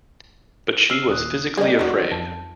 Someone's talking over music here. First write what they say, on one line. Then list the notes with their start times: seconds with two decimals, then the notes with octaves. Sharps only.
But she was physically afraid.
0.90 C#4 E6 F6 C7
1.09 D#2 A#2 D#6 F#6
1.57 G3 A#3 G4 G#4 D5 D#5
1.79 E2 F#3 C#4 D#4 D#5
2.11 F2 A5